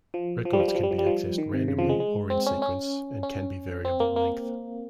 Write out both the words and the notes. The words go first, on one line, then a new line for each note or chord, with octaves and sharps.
Records can be accessed randomly or in sequence and can be variable-length.
F3
F3
G3
F3
G3
F3
G3
F3
G3
F3
D#3
C3
C#3
F3
G#3
G#3
C4
C#4
C#4
C#4
C4
A#3
A#3